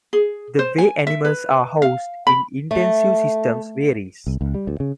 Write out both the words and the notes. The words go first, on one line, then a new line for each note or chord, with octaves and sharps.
The way animals are housed in intensive systems varies.
G#4
C5
G#5
E5
B4
F5
B5
A3
C2
C#2
G3
D2
C#3